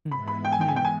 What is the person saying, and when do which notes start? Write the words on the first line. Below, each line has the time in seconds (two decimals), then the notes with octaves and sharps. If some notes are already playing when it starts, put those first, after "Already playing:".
Mm. Hmm.
0.11 G#2 E3 G#3 B3 E4 B5
0.27 B5
0.45 G5
0.52 G#5
0.61 G5
0.68 G#5
0.76 G5
0.85 G#5